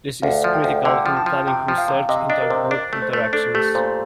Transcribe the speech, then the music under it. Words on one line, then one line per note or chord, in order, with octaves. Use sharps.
This is critical in planning research into group interactions.
D2 F5
F3
G5
D2
D3 G5
F3
A5
F3
C3 G5
F3
F5
C3
C3 D#5
D4 D#5
A#4
C3 C5
C5
D4 D5
A3
C5
A3
D4 A4
A3 G4
A#2 C5